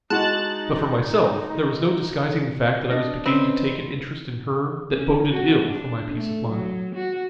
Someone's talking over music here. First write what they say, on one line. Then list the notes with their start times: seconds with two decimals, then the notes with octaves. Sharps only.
But for myself, there was no disguising the fact that I was beginning to take an interest in her that boded ill for my peace of mind.
0.10 G#3 D#4 F#4 D#5 A5 F#6 A6
2.90 D4 D#5
3.26 C4 C#4 B4
4.92 C#4
5.30 F#4
5.66 D4
6.13 A3
6.50 F#3
6.95 F#4